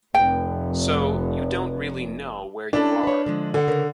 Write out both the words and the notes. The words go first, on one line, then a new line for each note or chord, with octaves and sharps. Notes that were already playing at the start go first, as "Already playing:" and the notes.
So, you don't really know where you are.
F1 G5
C#4 D4 E4 A4
B4 C#5
D3 F3 G#3
D3 F#5 G#5
C#3 A#4